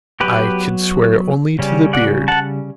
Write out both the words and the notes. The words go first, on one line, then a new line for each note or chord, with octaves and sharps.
"I could swear only to the beard."
F#3 B3 G4 B4
C#3 G3 C#4
D5 F#5
F#5 A5